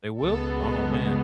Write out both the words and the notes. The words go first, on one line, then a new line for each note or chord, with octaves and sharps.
They will? Oh man.
C#2 B2 G#3 B3 A4
A4